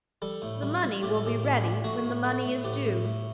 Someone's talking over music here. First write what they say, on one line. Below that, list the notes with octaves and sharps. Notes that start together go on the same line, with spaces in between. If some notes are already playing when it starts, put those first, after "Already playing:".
The money will be ready when the money is due.
G3 A4
A2
G3
G3
A2 G4
A4
A2 G4
A2
D4
A3 F#4
A2
A3
A2
A2 G4
A2
A2